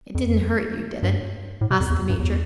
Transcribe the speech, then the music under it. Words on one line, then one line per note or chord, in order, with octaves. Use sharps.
"It didn't hurt you, did it?" asked the Major.
F2
G2
A2
C3
F2
E2
G2
E2